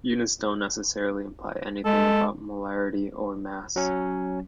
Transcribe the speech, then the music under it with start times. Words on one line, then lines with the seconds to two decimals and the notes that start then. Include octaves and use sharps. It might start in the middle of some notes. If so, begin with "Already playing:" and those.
Units don't necessarily imply anything about molarity or mass.
1.85 G#3 A4
3.76 F#3 C#4